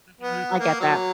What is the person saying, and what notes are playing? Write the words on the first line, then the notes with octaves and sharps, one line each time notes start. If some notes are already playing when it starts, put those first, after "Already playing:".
Mhm, I get that.
B3
A#3
F#3